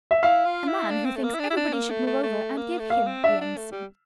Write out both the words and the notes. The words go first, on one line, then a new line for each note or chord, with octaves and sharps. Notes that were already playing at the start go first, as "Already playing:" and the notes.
A man who thinks everybody should move over and give him the end seat.
E5
E4 F5
F4
E4
D4
C4
A3
A#3
E4
D4
E4
D4
A#3
A3
A3
A3
A#3
A3
A#3 F5
C4
D4 E5
D4
A3
G3